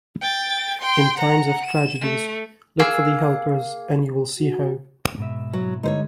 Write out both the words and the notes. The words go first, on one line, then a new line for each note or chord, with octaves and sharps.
In times of tragedies, look for the helpers and you will see hope.
G5 A6
G5 C6
F#5 A#5
E7
A3
A#3 G#4 E6
F#4
G#2 B2 E5
F#3
D3 G3 G#3 D#4 C5 C#5